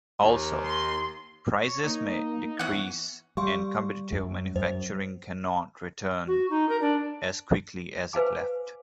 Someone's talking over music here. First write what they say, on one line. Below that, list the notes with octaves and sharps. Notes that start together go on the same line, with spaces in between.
Also, prices may decrease and competitive manufacturing cannot return as quickly as it left.
D#2
C6
C#5
A#3 D#4
E3 B3 C#4 F#5
G3 F5 C6 C#6
F#2
F#2 C5
F#4
D#4
A#4
D4
B4 C5 F5 G#5 D6